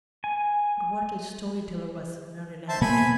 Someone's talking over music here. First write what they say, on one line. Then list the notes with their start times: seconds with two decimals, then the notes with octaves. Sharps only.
But what a story-teller was Mary Lant!
0.24 G#5
2.69 C5 E5 A5
2.81 B2 A#3 B3 G#5 B5